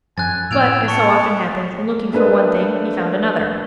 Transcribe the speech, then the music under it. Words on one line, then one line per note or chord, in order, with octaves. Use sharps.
But, as so often happens, in looking for one thing he found another.
F#2 F3 G#5 F#6 A6
A2 A#3 E6 G#6 D7 F7
A5 C#6 C#7
A3 A#3 D4 B4